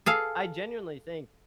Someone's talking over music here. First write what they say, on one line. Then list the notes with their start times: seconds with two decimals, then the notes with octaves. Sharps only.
I genuinely think
0.06 G#4 A4 F5